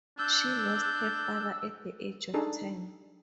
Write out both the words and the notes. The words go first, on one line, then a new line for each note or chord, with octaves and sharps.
She lost her father at the age of ten.
D4 E6 G6
D4 D#4 G#4 A4